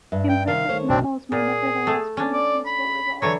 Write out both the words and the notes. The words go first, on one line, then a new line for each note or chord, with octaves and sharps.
Imperfect models may nevertheless produce useful results.
G2 E5
G5
C3 D#3 F5
D#3 A3 C5 C#5
F1 B1 F#2 C4 D4
A#2 G#4
A3
C#4 D4
D5
B5
D3 E3 F#3 C#5